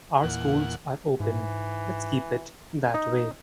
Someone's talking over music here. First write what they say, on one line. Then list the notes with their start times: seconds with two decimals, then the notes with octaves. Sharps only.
Our schools are open. Let’s keep it that way.
0.23 E2 A#2 F#5
1.20 G#2 E3
2.94 D#4